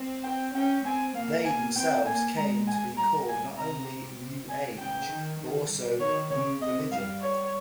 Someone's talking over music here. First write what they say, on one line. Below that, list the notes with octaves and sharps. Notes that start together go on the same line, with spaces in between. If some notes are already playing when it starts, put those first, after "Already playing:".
They themselves came to be called not only "New Age" but also "new religion".
Already playing: C4
G5
C#4 G5
C4 G#5
A#3 F5
G#5
C4 G5
A#3 G#5
G#3 A#5
G#5
G3 A#5
G3 G#5
C3 A#5
C3 G#5
C#3 G5
D#3
D#3
G3
D#3 C#5
C#3 C#5
C3 D#5
G3 F5
C#5